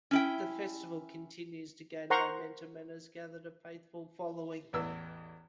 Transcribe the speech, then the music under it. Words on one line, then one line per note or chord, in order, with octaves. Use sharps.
The festival continues to gain momentum and has gathered a faithful following.
C#4 E4 G5
A#4 C5 F#5 A#5 C6 C#6
A1 E2 E3 E6